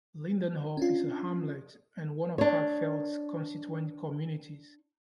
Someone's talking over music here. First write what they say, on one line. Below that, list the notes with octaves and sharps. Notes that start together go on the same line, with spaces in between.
Lindenhof is a hamlet and one of Hatzfeld's constituent communities.
C#4 D4 F4
D4 C#5